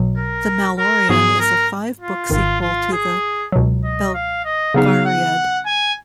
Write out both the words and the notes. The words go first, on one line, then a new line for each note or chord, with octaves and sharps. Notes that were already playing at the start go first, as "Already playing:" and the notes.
"The Malloreon" is a five-book sequel to the "Belgariad".
Already playing: B1 B2 F#3
A#4
A#4
G#2 F#3 B3 F#4 G#4
A#4
F4
G#1 G#2 D#3 F4
F4
G#4
C#2 B2 F#3
D#5
F5
D#5
C#3 F#3 B3 D#4 G#4 F5
F#5
G#5